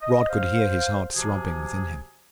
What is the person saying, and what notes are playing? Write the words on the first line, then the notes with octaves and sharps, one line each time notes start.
Rod could hear his heart throbbing within him.
D#5
C5 F5
C3 F3 F#4 G#4